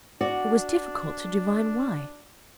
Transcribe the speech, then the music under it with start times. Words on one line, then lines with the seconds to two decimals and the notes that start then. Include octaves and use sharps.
It was difficult to divine why.
0.21 D4 F#4 D5